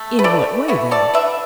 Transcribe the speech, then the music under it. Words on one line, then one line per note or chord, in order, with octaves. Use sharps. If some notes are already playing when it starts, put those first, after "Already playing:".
"In what way then?"
Already playing: A3
B4
E3 A4 D5
E4 F#4 B4
A4 D5
D3 B4 E5